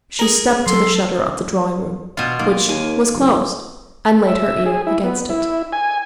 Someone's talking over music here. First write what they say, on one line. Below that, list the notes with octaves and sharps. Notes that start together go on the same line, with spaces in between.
She stepped to the shutter of the drawing-room, which was closed, and laid her ear against it.
G#4 A#4
F#3 A4 C6
B2 F4
B1 A#3
D#2 G#5
F#1
E5
G#4
E4
B3
E4
G#5